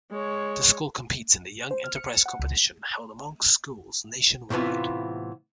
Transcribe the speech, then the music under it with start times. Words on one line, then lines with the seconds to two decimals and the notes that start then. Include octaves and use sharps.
The school competes in the Young Enterprise competition held amongst schools nationwide.
0.11 G#3 C#5
1.71 C5
1.84 F6
1.96 C#7
2.26 F#5
2.40 C#2
4.50 A2 C3 E3 B3 F4